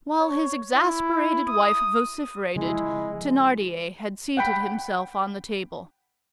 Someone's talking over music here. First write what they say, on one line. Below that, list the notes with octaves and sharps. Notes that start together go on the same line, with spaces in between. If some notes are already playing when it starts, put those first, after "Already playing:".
While his exasperated wife vociferated, Thenardier had seated himself on the table.
C#5
E4
D#6
C#3 F3 G#3 C4 E4
F#5 G5 B5